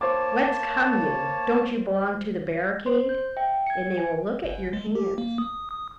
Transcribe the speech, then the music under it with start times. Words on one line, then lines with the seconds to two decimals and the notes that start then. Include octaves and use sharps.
'Whence come you?' 'Don't you belong to the barricade?' And they will look at your hands.
0.01 A#3 C5 C#5 A5 D6
2.86 C5 C6
3.09 G6
3.37 E5 G5
3.67 G#6 C#7
3.98 G#5
4.44 G1
4.73 G#3
4.95 G4
5.18 A#3
5.38 D#6
5.71 D#6